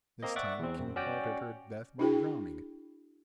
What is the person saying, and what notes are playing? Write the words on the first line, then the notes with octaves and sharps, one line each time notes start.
This time the king plotted her death by drowning.
A#3 C4 D#5
D5 E5 F#5 C#6 D6
E2 C4
F#2
C#4 F#4 D5 G5
D4 E4 F#4 G#4 G5